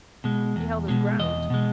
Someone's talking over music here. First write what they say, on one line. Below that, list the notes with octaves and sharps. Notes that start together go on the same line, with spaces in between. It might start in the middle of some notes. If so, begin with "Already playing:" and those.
He held his ground.
B2 G#3
E2
B2 G#3
E2 D#5
B2 G#3